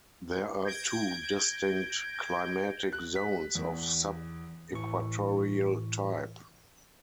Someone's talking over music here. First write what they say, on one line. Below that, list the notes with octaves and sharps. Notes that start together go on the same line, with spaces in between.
There are two distinct climatic zones of sub-equatorial type.
G6 G#6 A#6 D7
F#6
B6
E2
A2 E3 C#6